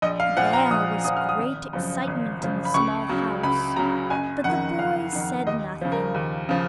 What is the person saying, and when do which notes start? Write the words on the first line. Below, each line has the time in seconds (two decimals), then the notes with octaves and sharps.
There was great excitement in the small house, but the boys said nothing.
0.02 A#1 D#5
0.20 F5
0.37 A#2 F3 F#5
0.53 A#5
0.70 A#1 D#6
1.04 A#2 F3 D#6
1.17 F6
1.29 D#6
1.38 G#1
1.73 F#2 C#3 F3
2.07 G#1
2.41 F#2 C#3 F3
2.65 B5
2.74 C#2 C#6
3.09 C#3 F#3
3.43 C#2 B5
3.76 C#3 F#3 A#5
4.10 F#1 G#5
4.44 F2 D#3 F#5
4.79 F#1 F5
5.13 F2 D#3
5.47 D#2 D#5
5.81 C#3 F3
5.92 A#4
6.15 D#2
6.49 C#3 F3